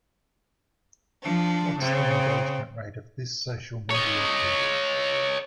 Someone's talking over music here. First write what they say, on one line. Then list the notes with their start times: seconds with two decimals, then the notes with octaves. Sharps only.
What is the engagement rate of this social media post?
1.23 F3 D4
1.79 C#3 C4
3.90 C#5 D#5